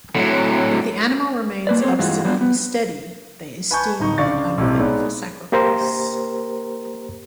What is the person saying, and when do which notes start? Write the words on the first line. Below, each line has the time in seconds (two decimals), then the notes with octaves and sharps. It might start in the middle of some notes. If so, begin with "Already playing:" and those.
If the animal remains obstinately steady, they esteem it unfit for sacrifice.
0.16 A2 F#3
1.67 A#3 B4 D5
1.82 C4 A4 C5 C#5
1.99 G2 E3 G#3 F4 F#4
2.25 F#3 G3 A3 B3 D4 F4
2.41 B3
3.71 B4 G#5 A5 B5 C#6 G6
4.00 D1 D#4 C#6
4.18 C#2 D4 D5 F5 C#6 A6
4.58 B1 A2 C3 G3
4.79 G#3 B3 D#4 C#5 D5
5.52 A#3 G4 A#4 C5 A#5